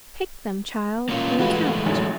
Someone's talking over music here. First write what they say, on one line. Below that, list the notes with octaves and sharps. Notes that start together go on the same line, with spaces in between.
Pick them, child, and count.
A#3 C#4 F4
E3 G#3 A3 F4 F#4 B4
A1 F#3